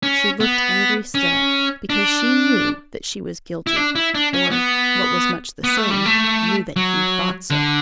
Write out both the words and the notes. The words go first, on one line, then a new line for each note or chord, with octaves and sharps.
She looked angry still, because she knew that she was guilty, or, what was much the same, knew that he thought so.
C#4
B3
C#4
D4
E4
D4
E4
D4
C#4
B3
B3
A3
G3
A3
F#3
D3